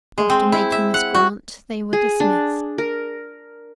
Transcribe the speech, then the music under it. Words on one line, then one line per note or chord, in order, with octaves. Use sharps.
After making this grant, they were dismissed.
G#3
C4
E4
E5
F#5
F#4
G#4
D4
A#4